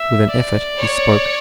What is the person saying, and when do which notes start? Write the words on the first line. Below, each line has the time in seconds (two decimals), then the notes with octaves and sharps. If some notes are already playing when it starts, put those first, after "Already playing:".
With an effort he spoke.
Already playing: E5
0.30 D5
0.79 C#5